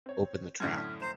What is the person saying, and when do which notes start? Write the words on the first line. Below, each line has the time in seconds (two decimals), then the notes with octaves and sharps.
Open the trap.
0.06 C4 C#5
0.60 F#2 A2 D3 F#4 F6 G#6
0.77 D4 D#6 B6
1.01 F1 C5 A#5 E7